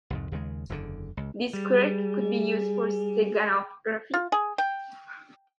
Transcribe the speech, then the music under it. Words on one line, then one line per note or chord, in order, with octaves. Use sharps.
This quirk could be used for steganography.
C2 F2 G#2
D#2 C#3 G3 G#3
F#1 E2 G2 D3
C#2
G3 G#4
F4
G#4
G5